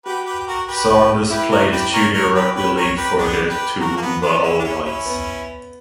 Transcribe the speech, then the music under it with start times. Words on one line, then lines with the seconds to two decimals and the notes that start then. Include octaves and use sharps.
Saunders played his junior rugby league for the Toowoomba All Whites.
0.05 F#4 G4 B4
0.26 G4 B4
0.40 G4
0.47 F#4 A#4
0.68 G4 B4
1.30 E4 G4 B4
1.51 A#4 C#5
1.72 G4 B4
1.93 A#4 C#5
2.13 A#4 C#5
2.35 G4 B4
2.55 C#4 G4 B4
2.77 A#4 C#5
2.97 G4 B4
3.18 B3 D4
3.49 G4 B4
3.80 F#4 A#4
3.97 A#3
4.02 B3
4.22 B3 D4
4.43 C#4 E4
4.59 D4
4.63 C#4 E4
4.84 C#4 E4
5.06 B3